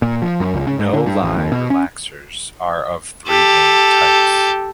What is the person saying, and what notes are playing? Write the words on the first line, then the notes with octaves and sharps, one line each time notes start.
"No-lye" relaxers are of three main types.
A#2
F3
F#2
C#2
C#3
G#2
D3
G2
A1
D#2
B2
C#4
G4 A4